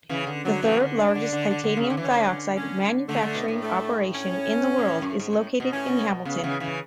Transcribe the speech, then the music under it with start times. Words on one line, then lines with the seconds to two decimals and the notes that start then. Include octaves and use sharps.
The third largest titanium dioxide manufacturing operation in the world is located in Hamilton.
0.09 C#3 E3
0.27 D3
0.45 D3 F#3
0.62 C#3 E3
0.80 D3
0.98 D4
1.15 D3
1.32 D3
1.51 D3
1.63 D3
1.77 C#3
1.90 D3
1.97 E3
2.03 D3 C#4
2.56 C#4
3.09 D3 A3
3.22 D3
3.35 B2
3.48 A2
3.62 A3
4.15 C#4
4.78 B2
4.85 A2
5.02 F#2
5.20 G#2
5.33 A2
5.60 B2
5.73 A2 C#4
5.86 B2
6.25 C#3 B3
6.44 C#3 E3
6.60 C#3 E3